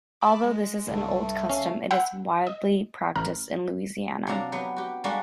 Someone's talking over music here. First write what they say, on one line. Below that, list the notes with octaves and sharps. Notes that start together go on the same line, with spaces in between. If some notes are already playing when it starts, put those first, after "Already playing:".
Although this is an old custom, it is still widely practiced in Louisiana.
A5 B5 D6
G#3
C2 G2 D3 G3 A3 A4
C#4 F5
F#5 B5 E6 G6
D#5
A1 A#5 F6
C3 F#3 A#3 D4 A#5
F#3 B3 G4
F#4 G4
G3 G#3 A#3 D4 F#4